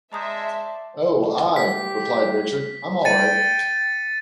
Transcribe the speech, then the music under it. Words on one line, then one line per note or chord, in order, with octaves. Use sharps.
"Oh, aye," replied Richard, "I'm all right."
G#3 C5 D5 E5 A5 A#5 D#6 G6
G4 B6
G5 A6 C#7 D#7